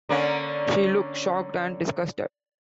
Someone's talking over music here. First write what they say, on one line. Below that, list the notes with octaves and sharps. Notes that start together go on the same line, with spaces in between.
She looks shocked and disgusted.
D3 A#3 C#4